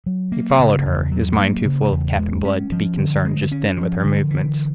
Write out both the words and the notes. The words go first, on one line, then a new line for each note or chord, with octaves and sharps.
He followed her, his mind too full of Captain Blood to be concerned just then with her movements.
F#3
A#3
C#3
E2
F#3
A#3
C#3
E2
G#3
C#4
F3
D3
G#3
C#4
F3
D3
E3